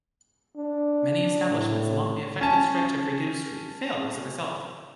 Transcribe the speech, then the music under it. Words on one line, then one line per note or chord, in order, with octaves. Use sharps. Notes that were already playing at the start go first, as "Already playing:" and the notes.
Many establishments along the affected stretch of Rideau Street failed as a result.
D4
A2
C#4 A5